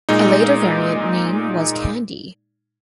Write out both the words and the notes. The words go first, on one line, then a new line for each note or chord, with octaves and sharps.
A later variant name was "Candy".
A#2 G#3 D#4